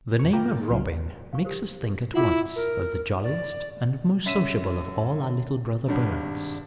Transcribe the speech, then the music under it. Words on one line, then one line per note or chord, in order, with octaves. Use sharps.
The name of Robin makes us think at once of the jolliest and most sociable of all our little brother birds.
F2 C#6
F4 B4 G5 A#5 D6
G#2 A#3
C2 C#3 F#3 F4
F5 C#6
G4 A#4 C5
E4 F4 F#5 D6
A#4
D5
F#2 E5 B6 D#7 E7
G#1 G2